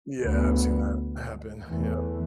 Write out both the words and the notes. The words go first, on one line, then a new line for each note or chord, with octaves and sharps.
Yeah, I've seen that happen. Yeah.
D2 D3 B3
E2 E3 A3